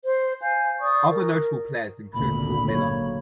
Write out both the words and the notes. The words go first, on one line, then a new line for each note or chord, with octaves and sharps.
Other notable players include Paul Miller.
C5
F5 G#5 G6
D5 C#6 D#6
A#4
G#1 D2 A#2 C#3 B5
F#3 A#3 C#5